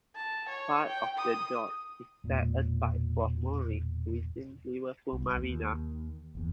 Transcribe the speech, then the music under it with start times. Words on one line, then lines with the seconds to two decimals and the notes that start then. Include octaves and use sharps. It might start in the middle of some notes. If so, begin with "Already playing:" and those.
Part of the dock is set aside for moorings within Liverpool Marina.
0.15 A5
0.48 C#5
0.87 G5
1.17 D#6
2.24 E1 A#2
5.13 C2
5.37 D#2
6.35 F#1 E2